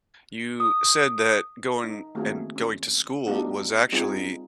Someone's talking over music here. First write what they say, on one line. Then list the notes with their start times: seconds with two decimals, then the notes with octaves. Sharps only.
you said that going and going to school was, actually
0.60 D#6
1.84 D#4
2.15 D#3 A3 A#3 C4 F#4 G#4
2.56 C#4
3.26 A3 B3 D4 D#4 F#4 G4
3.92 G3 C4 D#4 F4 G#4